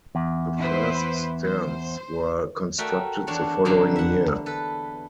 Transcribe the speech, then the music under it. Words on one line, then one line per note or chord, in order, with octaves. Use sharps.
The first stands were constructed the following year.
E2
E4 B4 C5
C5
A3 F#4 A#4 E5 G5 A5
E2 D4 F#4 C#5 D5
E2 G2 D3 F#3 A#3 E4
E5 F#5
A4 B4